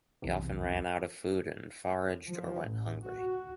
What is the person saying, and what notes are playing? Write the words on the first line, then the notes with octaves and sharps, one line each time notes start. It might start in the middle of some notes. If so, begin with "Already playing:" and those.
He often ran out of food and foraged or went hungry.
B1 E2 C3
F3
A1
F#4